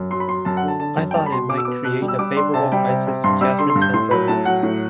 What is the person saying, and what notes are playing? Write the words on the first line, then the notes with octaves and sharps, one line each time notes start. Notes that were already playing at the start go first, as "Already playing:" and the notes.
I thought it might create a favorable crisis in Catherine's mental illness.
Already playing: F#2
F#3 C6
B5
F#3 C6
F#2 A5
F#5
D3
A5
D3 A5
F#2
G5
G3 A5
B5
B2 C6
B2 D6
E6
B3 D6
B2 F#6
G3
E6
G3 D6
D4 C6
C3 A5
G3 G5
C3
C3
G2 C6
G3 E6
D3 C6
C6
G2
G6
A2 C6
F#3 B5
A2 A5
F#3 F#5
A2